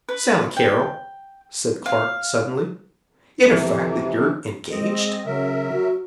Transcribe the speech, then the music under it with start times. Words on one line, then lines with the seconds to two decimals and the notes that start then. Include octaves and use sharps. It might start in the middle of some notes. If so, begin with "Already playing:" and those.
"Sally Carrol," said Clark suddenly, "it a fact that you're engaged?"
0.09 B4
0.57 G5
1.86 F5
3.42 F2 C3 E3
4.72 G#3 C4 D#5
5.26 C#3 F#3 A#4 E5
5.72 F#4